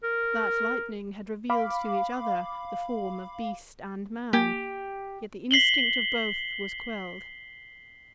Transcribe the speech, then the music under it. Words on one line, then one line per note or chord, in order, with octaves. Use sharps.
That lightning had revealed to each other the form of beast and man; yet the instinct of both was quelled.
A#4
F5 B5 D6
A#3 G4 G5 G#5
B6 C7 F#7 G7